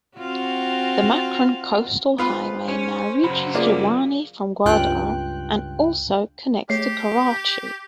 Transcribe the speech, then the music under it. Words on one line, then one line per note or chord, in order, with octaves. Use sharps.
The Makran Coastal Highway now reaches Jiwani from Gwadar and also connects to Karachi.
C4 F4 F#4
B3 F4 B4 C5
C#4 C#5 G#5
C#3 F#3 B5
A#3 F4 G#4 D5
C#2 G2 F4 G5 F#6
A3 G4 G#4 C#5 C7